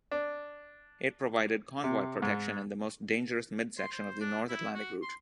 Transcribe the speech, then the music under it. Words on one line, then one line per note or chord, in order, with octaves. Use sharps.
It provided convoy protection in the most dangerous midsection of the North Atlantic route.
D4
C3
G#2
C6
C5
D4
E4
F#4
C6